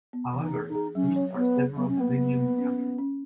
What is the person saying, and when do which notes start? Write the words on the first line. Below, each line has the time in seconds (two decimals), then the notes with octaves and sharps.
However, these are several millenniums younger.
0.13 B3
0.33 E3
0.41 D#4
0.54 G#4
0.68 D#4
0.75 G#4
0.95 F#3 C#4
1.16 C#5
1.35 B3 C#5
1.56 G#4
1.76 F#3 B3
1.88 C#4
1.97 A#3 B3
2.17 F#3
2.37 A#3
2.58 C#4
2.78 C#4
2.98 C#4